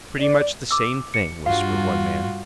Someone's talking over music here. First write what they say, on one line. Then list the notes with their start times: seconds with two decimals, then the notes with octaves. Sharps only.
"Pretty much the same thing," whispered one man.
0.19 D5
0.71 D6 E6
1.14 C#7
1.46 G2 F4 F#4 F5